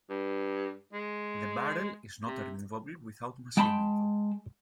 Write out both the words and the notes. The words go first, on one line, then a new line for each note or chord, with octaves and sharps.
The barrel is not removable without machining, though.
G2
G#3
C3
G#3 G5 A5 B5 C6